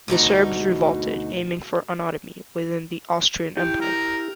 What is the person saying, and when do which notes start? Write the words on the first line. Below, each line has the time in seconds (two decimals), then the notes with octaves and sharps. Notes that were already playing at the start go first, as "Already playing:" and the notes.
The Serbs revolted, aiming for autonomy within the Austrian Empire.
0.08 D2 B2 D#4 F#4
3.57 E4 G4 G5
3.81 A#4